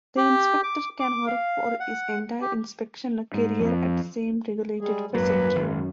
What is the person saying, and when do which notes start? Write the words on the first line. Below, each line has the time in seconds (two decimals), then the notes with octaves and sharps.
The inspector can work for his entire inspection career at the same regulated facility.
0.17 G4
0.63 D6
1.00 D6
1.28 F5
1.80 F#5
2.41 G4
3.34 G#2
3.60 F2
4.81 G3 G#3 G#4
5.14 G#1 F#2 F#3 A#3 B4
5.56 G#1 F#2